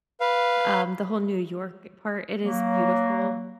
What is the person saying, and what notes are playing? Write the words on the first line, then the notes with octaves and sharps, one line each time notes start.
um, the whole New York part, it is beautiful,
B4 F5
F#3 A#3